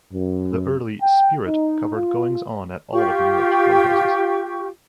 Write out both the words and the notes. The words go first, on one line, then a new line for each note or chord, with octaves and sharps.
The early "Spirit" covered goings on at all of New York's playhouses.
F#2
G5
D#4
F4
F4 G4 G5 C#6